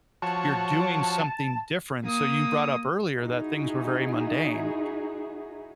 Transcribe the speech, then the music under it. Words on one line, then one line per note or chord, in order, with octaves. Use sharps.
you're doing something different. So you brought up earlier that things were very mundane,
F3 F#4 C#5 A5
A#3 D#6
D#4 E4 F#4 G#4